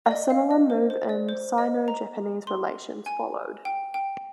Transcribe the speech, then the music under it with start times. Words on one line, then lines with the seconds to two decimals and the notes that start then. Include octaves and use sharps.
A similar move in Sino-Japanese relations followed.
0.07 D5
0.11 D#5
0.30 F5
0.51 D#5
0.70 C5
0.90 C5
1.09 D5
1.29 C5
1.58 D#5
1.88 A#5
2.47 C6
3.06 G#5
3.65 G5
3.94 G5